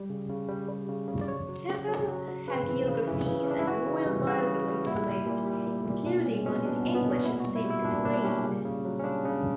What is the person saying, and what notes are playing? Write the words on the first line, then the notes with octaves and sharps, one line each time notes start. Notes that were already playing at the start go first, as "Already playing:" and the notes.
Several hagiographies and royal biographies followed, including one in English of Saint Katharine.
Already playing: G3
C#3
C#3
G3
G3
C#3
C#3
D5
F#3 C#5
F#3
C#3
F#3
F#3
F#3
C#3 B4
E3
C#3
E3
C#3
C#4
E3 D4
E4
E3 F#4
C#3
G3
C#3 F#4
C#3
G3
A#2 E4
G3
A#2
G3
A#2
A#2
B2 D4
G3 C#4
B2 C#4
B2 D4
B3
B2
B3
B2
C#4
A#2 E4
F#4
G3
E4
G3
E4
A#2 D4
A#2 D4
G3 C#4
C#3
C#3
F#3
C#4
C#3 D4
C#3